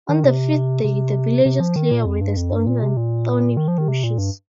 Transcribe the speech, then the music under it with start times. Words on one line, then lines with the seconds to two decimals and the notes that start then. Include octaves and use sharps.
On the fifth day the villagers clear away the stones and thorny bushes.
0.09 D#3
0.24 C3
0.84 C3
1.45 C3
1.60 F3
1.76 D#3
1.91 A#2
2.06 F2
2.21 G2
2.37 F2
2.51 G2
2.67 A#2
2.82 C3
2.97 A#2
3.57 D#3
3.68 F3
3.78 D#3
3.88 C3
4.04 A#2
4.18 G2